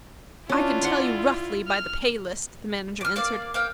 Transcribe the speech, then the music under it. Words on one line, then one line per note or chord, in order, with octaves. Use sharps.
"I could tell you roughly by the pay-list," the manager answered.
C#4 D4 E4 F4
D5 F#5 C6
F6
D6 F6
A#3 D5 F5
A#3 F5 G5